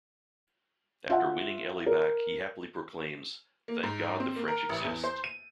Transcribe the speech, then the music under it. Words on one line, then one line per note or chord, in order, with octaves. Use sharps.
After winning Ellie back, he happily proclaims, Thank God the French exist.
F4 E5 F#5
A#4
A#3
G#2
C4
A#3
A#4
A1
E2
C5
D#7